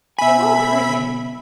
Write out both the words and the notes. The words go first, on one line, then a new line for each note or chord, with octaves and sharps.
"It won't hurt him."
B2 E5 G#5 B5